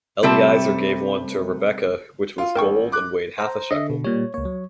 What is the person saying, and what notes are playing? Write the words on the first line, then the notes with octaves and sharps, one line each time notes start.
Eliezer gave one to Rebekah which was gold and weighed half a shekel.
C3 G3 A3 C4 E5 A5
F4
A1 A#4 G5 C#6
D6 F#6
C5 A#5
D3 D#5 E5
B2
A#2 G3 C#5
C#2 A#3 C#5
F#3